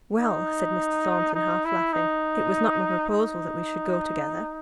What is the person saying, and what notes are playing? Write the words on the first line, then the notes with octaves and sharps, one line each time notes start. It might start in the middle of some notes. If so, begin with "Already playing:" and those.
'Well!' said Mr. Thornton, half-laughing, 'it was not my proposal that we should go together.
D#4
D#4
E4
D#4
D#4